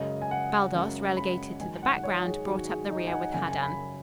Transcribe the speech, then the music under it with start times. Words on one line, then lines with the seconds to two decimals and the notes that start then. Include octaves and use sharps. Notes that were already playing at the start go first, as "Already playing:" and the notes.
Baldos, relegated to the background, brought up the rear with Haddan.
Already playing: F#2 C#3 G#3 D#5
0.22 G#5
0.31 F#5
0.74 F#2 C#3 G#3
1.17 B5
1.60 G#2 D#3 F#3 G#5
1.83 F#5
2.03 C#5
2.26 G#4
2.47 G#2 D#3 F#3 F#4
2.69 G#4
2.90 D#4
3.07 G#5
3.11 F#5
3.33 F#2 C#3 F#3 G#5
3.51 G#5
3.62 B5